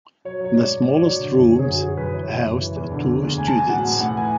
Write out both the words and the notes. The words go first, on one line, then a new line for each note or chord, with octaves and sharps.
The smallest rooms housed two students.
F#3 C#5
F#3 C#5
G#2 D5
G#2
F#3 D5
C#5
F#3 D5
D3
F#2
D3 C#5
G#4
F#2 F#4
F#2 G#4
F#2 B4
E3 C#5
C#3
F#2
E3
E2
D3
E2
E2
A2 G#5
A5
A2 G#5
F#3 F#5
A2
A2 F#5
E3 G#5